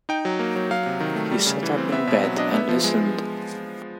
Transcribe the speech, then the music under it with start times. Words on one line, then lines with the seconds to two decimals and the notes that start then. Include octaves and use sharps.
He sat up in bed and listened.
0.09 D#4 G5
0.25 F#3
0.39 A#3
0.56 F#3
0.71 F#3 F5
0.86 C3
1.00 D#3
1.16 A3
1.31 G3
1.46 C#3
1.63 E3
1.78 C4
1.92 B3 E5
2.07 B2 E5
2.24 F#3
2.38 D4 D#5
2.54 B3 E5
2.69 F3
2.84 G#3